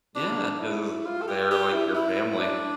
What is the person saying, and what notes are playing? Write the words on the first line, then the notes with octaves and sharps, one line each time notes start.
Yeah 'cause they're like your family,
D4
E4
F4
A4
G4
G4
E4
E4
D4